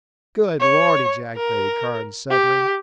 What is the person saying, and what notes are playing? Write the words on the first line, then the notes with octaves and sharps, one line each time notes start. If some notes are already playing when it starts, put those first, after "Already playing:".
"Good Lord!" ejaculated Carnes suddenly.
C#5
A#4
G4